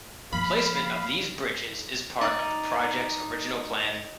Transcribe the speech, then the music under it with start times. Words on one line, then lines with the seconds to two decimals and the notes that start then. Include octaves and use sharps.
Replacement of these bridges is part of the project's original plan.
0.33 F3 A#3 F5 B5
2.21 D#4 D5